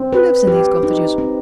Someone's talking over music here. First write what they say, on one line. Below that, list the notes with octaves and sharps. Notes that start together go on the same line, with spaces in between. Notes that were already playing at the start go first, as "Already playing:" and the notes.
Who lives in these cottages?'
Already playing: C4
B4
G4
D#4
C4